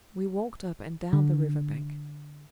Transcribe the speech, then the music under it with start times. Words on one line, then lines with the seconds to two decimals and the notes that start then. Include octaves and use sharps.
We walked up and down the river-bank.
1.13 D3